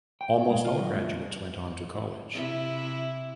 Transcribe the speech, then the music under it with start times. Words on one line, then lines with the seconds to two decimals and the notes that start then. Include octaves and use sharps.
Almost all graduates went on to college.
0.21 G5
0.37 A2
0.50 G#3
0.65 F4
0.80 F#3
0.94 G#3
2.35 C3 E4